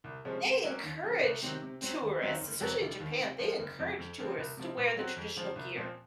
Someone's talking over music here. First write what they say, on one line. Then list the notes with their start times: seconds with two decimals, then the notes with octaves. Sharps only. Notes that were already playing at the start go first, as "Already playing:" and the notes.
they encourage tourists, especially in Japan, they encourage tourists to wear the traditional gear,
0.04 C2
0.25 C3 F3 G#3 C#4
0.44 C3
0.63 F#3 A#3 C#4
0.83 D#2
1.03 C#3 F3
1.23 C2
1.42 C3 D#3 F#3 C4
1.62 C3
1.82 F#3 C4
2.02 D#2
2.22 D#3 F#3 C4
2.41 F#1
2.61 F2 C3 F#3
2.80 F1
3.00 D#2 D#3
3.19 C3
3.39 F3 G#3
3.59 F#1
3.79 F2 C3
3.99 F2
4.18 C#3 F3 C4
4.38 C2
4.57 C3 F3
4.77 A#2
4.96 F#3 C4 F#4
5.16 F2
5.36 C#3 F3
5.56 C2
5.75 A#2 F3 C4